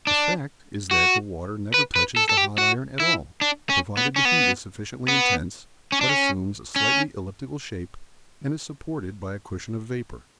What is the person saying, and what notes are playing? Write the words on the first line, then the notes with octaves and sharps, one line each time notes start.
The fact is that the water never touches the hot iron at all, provided the heat is sufficiently intense, but assumes a slightly elliptical shape and is supported by a cushion of vapor.
D4
F#4
B4
B4
A4
A4
G4
F#4
E4
D4
C#4
B3
C#4
B3
B3
C#4
D4
C#4
C#4